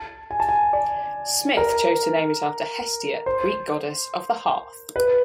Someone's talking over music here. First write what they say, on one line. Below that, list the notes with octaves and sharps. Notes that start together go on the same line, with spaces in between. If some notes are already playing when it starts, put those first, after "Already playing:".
Smyth chose to name it after Hestia, Greek goddess of the hearth.
Already playing: A5
G#5
A5
G#5
D5
A#4
C5
B4